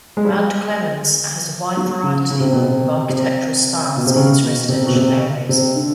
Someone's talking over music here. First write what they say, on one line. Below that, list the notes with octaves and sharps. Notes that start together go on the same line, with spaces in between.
Mount Clemens has a wide variety of architectural styles in its residential areas.
G#3
G3
G#3
F#3
C#3
C#3
C3
B2
C3
C3
B2
C3
C#3
B2
C3
B2
C3
C3
D3